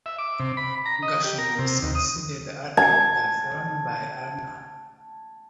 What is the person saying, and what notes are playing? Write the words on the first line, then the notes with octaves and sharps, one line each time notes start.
Gersem was succeeded atop the throne by Armah.
E5
D6
C3
B5
A#5
D#5
G4
A#4
C3
D#2
D#6
A5 G#6